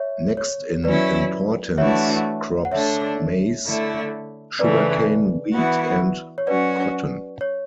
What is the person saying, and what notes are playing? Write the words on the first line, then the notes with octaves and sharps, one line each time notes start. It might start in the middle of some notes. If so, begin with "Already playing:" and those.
Next in importance crops maize sugarcane wheat and cotton.
Already playing: C#5 E5
C#5
F#3 C#4 E4 B4 D5
E3 A3 D4 F#4 C#5 E5
F#5
D3 A3 D4 C#5 E5
D3 A3 E4
C#3 E3 A3 B4 D5
E3 B3 F#4
C#5
F#3 C#4 F#4 B4 D5
C#5